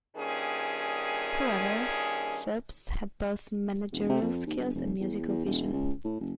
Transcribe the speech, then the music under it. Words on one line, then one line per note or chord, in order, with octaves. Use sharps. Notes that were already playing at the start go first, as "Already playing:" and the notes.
However, Filpse had both managerial skills and musical vision.
G2 A#2 D#3 C#4 G#4
E1
C3
F2
D#2
G1
F1
E2
E2
E1
C#2
A2
F#1